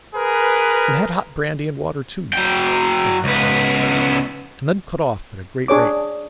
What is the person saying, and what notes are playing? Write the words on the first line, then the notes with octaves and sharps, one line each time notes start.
'And had hot brandy and water too, you see,' said Mr Inspector, 'and then cut off at a great rate.'
G#4 A#4 B4
F#3 G5
C#2 B3
D4 G#4 C#5 D6